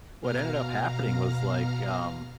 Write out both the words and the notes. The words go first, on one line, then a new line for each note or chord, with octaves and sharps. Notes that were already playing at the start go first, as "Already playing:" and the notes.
what ended up happening was like, um,
B2 F5 A#5 F6